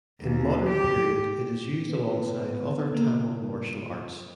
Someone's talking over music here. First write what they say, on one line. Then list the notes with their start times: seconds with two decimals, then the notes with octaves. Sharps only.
In modern period it is used alongside other Tamil martial arts.
0.21 D#2
0.69 G4
1.90 B3
2.92 C#3 A#3 A#4
3.36 A#2